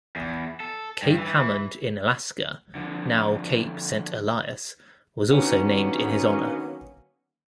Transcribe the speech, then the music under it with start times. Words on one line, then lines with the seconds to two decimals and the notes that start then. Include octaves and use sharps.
Cape Hamond in Alaska, now Cape Saint Elias, was also named in his honour.
0.16 E2
0.60 A4
1.02 G2
1.18 E3
2.75 D3 F3
5.30 D3 D#3 F#3 A#3 B3 C#4